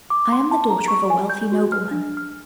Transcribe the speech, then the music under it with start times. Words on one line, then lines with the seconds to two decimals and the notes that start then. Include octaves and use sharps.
I am the daughter of a wealthy nobleman.
0.10 D6
0.32 C6
0.51 A5
0.70 A#5
0.88 C#6
1.10 G#5
1.30 G6
1.52 F#4
1.72 F6
1.91 D4
2.17 F6